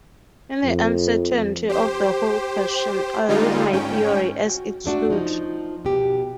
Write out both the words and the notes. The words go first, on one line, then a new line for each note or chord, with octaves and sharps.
In the uncertainty of the whole question I leave my theory as it stood.
F2
G4 C5
D3 G3 G#3 D#4 F4
G#2 C#4 G5
F#4
G#3 A3 D4 F#4
F3 D#4
B2 G4